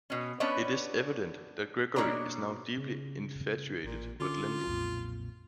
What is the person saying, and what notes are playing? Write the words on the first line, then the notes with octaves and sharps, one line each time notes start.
It is evident that Gregory is now deeply infatuated with Lyndall.
B2 C#4
B3 C#4 D4 B4 C#5 D#5
B2 A#3 D4 C#5 A#5
C#3
A1 A#2
D3 C#4 F4 D6
B1 F2 A#2